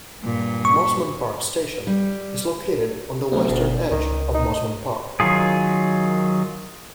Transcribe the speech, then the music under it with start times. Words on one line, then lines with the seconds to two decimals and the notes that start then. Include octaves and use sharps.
Mosman Park station is located on the western edge of Mosman Park.
0.21 G2 A#2
0.65 C#6
1.87 G3
3.32 D2 F#3 A3 B3
3.49 G1 B2 A4
3.91 C#2 D#3
4.34 D#4
5.20 D#3 F#3 F4 G#4